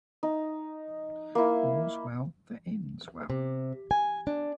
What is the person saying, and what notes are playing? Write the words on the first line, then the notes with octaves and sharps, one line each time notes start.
All's well that ends well.
D#4
A#3 E4
C3
G#5
D4